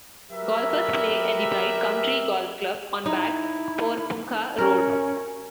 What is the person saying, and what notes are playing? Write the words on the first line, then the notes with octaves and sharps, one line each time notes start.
Golfers play at the Bright Country Golf Club on Back Porepunkah Road.
F#3 G4 A#4 B4 E5
D#4 E4
C#4 A#4